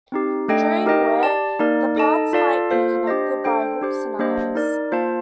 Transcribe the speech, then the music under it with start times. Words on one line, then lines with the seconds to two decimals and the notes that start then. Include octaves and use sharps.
During wear, the parts might be connected by hooks and eyes.
0.12 C4 D#4 G4
0.48 A3 D4 A4 D#5 G5
0.86 D#4 G4 A#4 D#5 G5
1.23 G4 D5 A5
1.59 A#3 D#4 A#4 D5
1.96 D#4 A4 D#5 A5
2.33 F4 A4 D5 F5 A5
2.71 A#3 F4 A4 C5 F5
3.07 D4 G4 C5 D#5
3.44 D4 A4 C5 G5
3.81 D4 G4 C5
4.19 A#3 D4 G4 C5 D#5
4.55 D#4 A#4 D5
4.92 A#3 F4 C5 F5 A5